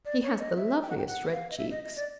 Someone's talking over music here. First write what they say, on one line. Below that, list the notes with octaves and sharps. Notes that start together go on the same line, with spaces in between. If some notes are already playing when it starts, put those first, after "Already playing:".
He has the loveliest red cheeks.
D5
C#5
D#5
E5
G5
F#5
G5
F#5
F5
D#5
E5
D#5
D#5
D5